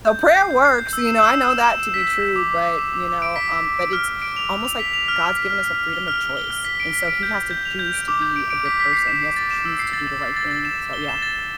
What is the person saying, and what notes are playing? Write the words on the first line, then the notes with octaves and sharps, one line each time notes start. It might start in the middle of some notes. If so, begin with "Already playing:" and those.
So prayer works, you know, I know that to be true, but you know, um, but it's almost like God's given us a freedom of choice, and so he has to choose to be a good person, he has to choose to do the right thing, so, yeah.
G6
G6
C7
G6
C7
G6
E6
E7
E6
E7
E7
E7
E7
B6
E7
E7
D6
D6
D6
E7
D6
D6
D7
B6
B6
B6
D7
F6
F6
D7
F7
F6
F7
B6
F7
F6
F6
B6
F6
F6
F6
G7
F6
F6
G7
F6
B6
D7
B6
D7
G6
D7
G6
F7
G6
D7
D6
G6
D7
D7
B6
B6
C7
E7
C7
A6
E7
E6
C7
A6
E7
A6
A6
A6
E7
E7
G7
E7
A6
A6